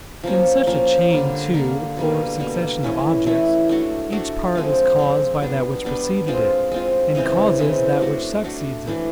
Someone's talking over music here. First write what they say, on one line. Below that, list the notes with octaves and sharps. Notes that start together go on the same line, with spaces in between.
In such a chain, too, or succession of objects, each part is caused by that which preceded it, and causes that which succeeds it.
F3 A#3 C#4
F3 A#3 C#4
D3 G3 A#3
D3 G3 A#3
B2 G3 A#3
B2 G3 A#3
E3 A3 C#4 E4
E3 A3 C#4 E4
A3 D4 F#4
A3 D4 F#4
F3 G#3 C4
F3 G#3 C4
G3 B3 D4
G3 B3 D4
G#3 C4 F4
G#3 C4 F4
C#3 E3 G#3 C4
C#3 E3 G#3 C4
A3 D4 F#4
A3 D4 F#4
E3 A3 D4